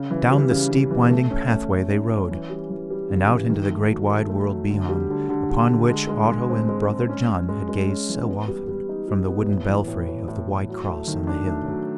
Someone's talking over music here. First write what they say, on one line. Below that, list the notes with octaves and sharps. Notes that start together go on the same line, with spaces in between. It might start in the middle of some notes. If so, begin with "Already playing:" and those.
Down the steep winding pathway they rode, and out into the great wide world beyond, upon which Otto and brother John had gazed so often from the wooden belfry of the White Cross on the hill.
Already playing: C#3
E3
G3
C#3
C#3
E3
A3
C#4
A3
A3
C#4
C#4
E3
G3
E3
G3
C#3
E3
D#3
A3
F#3
A3
A3
F#3
D3
G3
D3
D3
D3
D3
G#3
G#3
G#3
C4
G#3
G#3
C#4
C#4
G#3
G#3
C#4
E3
B3
G3
G3
D#4
G3
B3
A2
E3
A2
A2
A2
A2
F#3
A3
D#3
D4
A3
F#3